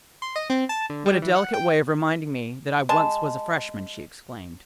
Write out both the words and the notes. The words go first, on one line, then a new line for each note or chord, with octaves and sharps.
"What a delicate way of reminding me that I once was a freshman!" she exclaimed.
C6
D#5
C4
A5
D3
G3
E3
F#5
G5
G#3 A5